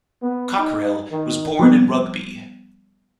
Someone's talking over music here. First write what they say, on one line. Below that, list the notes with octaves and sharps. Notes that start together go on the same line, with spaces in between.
Cockerill was born in Rugby.
B3
D#4
D#3
F3 G3 B3